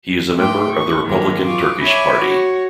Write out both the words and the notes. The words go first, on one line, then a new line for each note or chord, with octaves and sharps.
He is a member of the Republican Turkish Party.
G#2 A3 G5 C6 D6
C#6
G#2 D#3 F3 F#3 G#3 A#3
F4 C#6 D6
C#5 E5 G#5 B5 C#6 D6
F#4 C#5